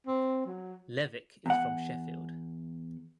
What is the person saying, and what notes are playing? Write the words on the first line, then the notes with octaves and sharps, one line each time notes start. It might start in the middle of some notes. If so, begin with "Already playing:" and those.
Levick is from Sheffield.
C4
F#3
E2 F#5